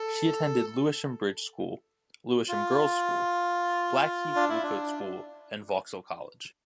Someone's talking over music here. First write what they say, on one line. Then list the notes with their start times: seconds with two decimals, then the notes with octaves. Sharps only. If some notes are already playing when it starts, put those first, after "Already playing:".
She attended Lewisham Bridge School, Lewisham Girls School, Blackheath Bluecoat School and Vauxhall College.
Already playing: A4
2.48 F4
4.36 D4
4.49 E4
4.63 D4